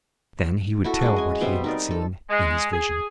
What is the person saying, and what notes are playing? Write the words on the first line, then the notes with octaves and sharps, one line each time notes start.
Then he would tell what he had seen in his vision.
E4 F#4 A4
G#3 C#4
D#5 G#5
B2 G3 C4 E5
D#4 A#4 D5
A4
G#3
G#4